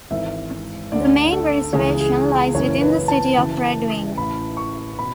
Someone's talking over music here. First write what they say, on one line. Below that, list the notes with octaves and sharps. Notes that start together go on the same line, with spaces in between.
The main reservation lies within the city of Red Wing.
G#1 G#2 E3 E5
D2 D3 D5
A4
C#2 C#3 E3 G#4
G#4
F#1 F#2 C#3 E3 C#5
B4
A5
F#1 F#2 C#3 E3
A1 A2 E3 B5
C#6
B2 B5